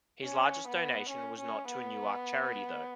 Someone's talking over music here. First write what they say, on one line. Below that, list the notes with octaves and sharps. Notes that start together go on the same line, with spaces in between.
His largest donation was not to a Newark charity though.
C#4
B3
C#4
C#4
B3